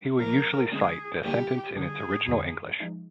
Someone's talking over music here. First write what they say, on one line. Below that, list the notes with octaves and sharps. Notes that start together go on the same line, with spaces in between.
He will usually cite the sentence in its original English.
C3 F3 A#3 A#4
D3 G#3 C4 G4 G#4
D3 G3 A#3 F4 G4 G#4
D3 G3 D4 G#4
F2 D3 G#3
F3 G#3 D#4